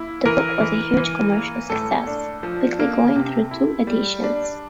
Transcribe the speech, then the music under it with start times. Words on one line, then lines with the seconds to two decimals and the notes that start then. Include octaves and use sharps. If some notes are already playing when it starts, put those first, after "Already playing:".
The book was a huge commercial success, quickly going through two editions.
Already playing: A#3 E4
0.25 E3 A#4
0.61 E3
0.97 E3
1.33 A#3
1.70 A2 A4
2.07 D4
2.43 F3
2.80 A#3
3.16 C3
3.51 E4
3.87 G3
4.24 D4